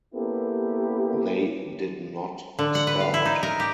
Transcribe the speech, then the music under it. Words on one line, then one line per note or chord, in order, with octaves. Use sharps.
They did not start.
A#3 B3 C#4 E4 G4 A4
D3
F#5
B4
F5
E4
D#4
A#4
G4